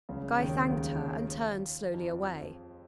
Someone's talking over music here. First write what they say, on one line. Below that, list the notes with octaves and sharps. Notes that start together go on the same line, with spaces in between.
Guy thanked her, and turned slowly away.
C#2 C#3
D#2 D#3
C#2 C#3
F2 F3